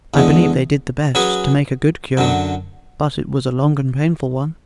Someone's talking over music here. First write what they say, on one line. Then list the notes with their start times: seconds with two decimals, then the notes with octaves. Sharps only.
I believe they did the best to make a good cure, but it was a long and painful one.
0.14 E2 D3 G#3
1.15 F#3 C#4 G#4 B4
2.17 F#2 D3 F#3